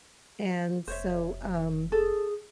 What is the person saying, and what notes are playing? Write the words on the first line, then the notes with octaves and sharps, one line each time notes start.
and so, um,
F1 C5 C#5 E5
G#4 A4